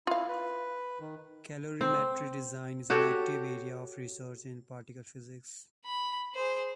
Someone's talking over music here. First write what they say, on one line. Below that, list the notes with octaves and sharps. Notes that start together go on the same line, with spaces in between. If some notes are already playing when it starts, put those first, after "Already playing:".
Calorimetry design is an active area of research in particle physics.
E4 F4 F5
B4
D#3
C4
F#4 G4 A4 C#5
B5
G#4 C5